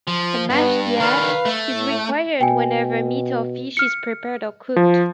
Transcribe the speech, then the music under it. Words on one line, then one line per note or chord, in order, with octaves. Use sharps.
A mashgiach is required whenever meat or fish is prepared or cooked.
F3
G2 B3
D#3 D4 B4 F5
A3
A2
B2 G5 G#5
F6 C#7
F3